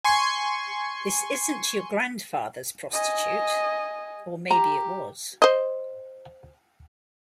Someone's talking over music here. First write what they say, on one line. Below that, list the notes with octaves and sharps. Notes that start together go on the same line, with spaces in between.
This isn't your grandfather's prostitute - or maybe it was.
G#5 C6 C#6
D#5 G#5
G4 A#5
C5 D#5